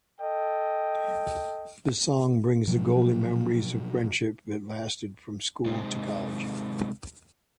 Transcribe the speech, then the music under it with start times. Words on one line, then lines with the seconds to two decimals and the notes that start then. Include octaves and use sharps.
This song brings the golden memories of friendship that lasted from school to college.
0.21 A4 D#5 G5
2.68 B2 F3 F#3
5.66 C3 G#3 C4 D#4 C5